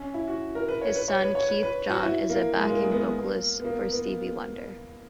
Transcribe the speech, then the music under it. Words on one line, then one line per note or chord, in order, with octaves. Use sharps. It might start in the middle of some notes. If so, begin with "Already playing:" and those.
His son Keith John is a backing vocalist for Stevie Wonder.
Already playing: C#4
E4
F#4
A#4
B4
C#5
B4
C#5
B4
C#5
B4
B4
F#4
E4
A#3
G#3
A#3
G#3
B3
A#3
B3
A#3
B3